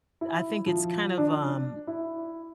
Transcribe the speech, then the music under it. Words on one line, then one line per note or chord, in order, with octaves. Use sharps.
I think it's kind of, um d
E4
F3
D4
E4